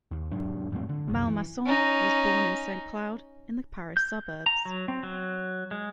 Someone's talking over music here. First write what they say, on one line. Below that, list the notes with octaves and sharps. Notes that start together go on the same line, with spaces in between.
Malmasson was born in Saint-Cloud in the Paris suburbs.
D#2
E1 G#2 F#3 D4
F2 A2 G#3 C4
D3
C2 F#2
E3
C#4 D#4
G6
A#5
F#3
C4
F#3
G#3